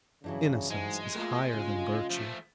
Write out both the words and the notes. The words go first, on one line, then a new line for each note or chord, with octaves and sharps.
Innocence is higher than virtue.
G2 C#3 E3 F#3
G#2 G#3
A3 A#3 C4 F4
C#3 F4
F3 A3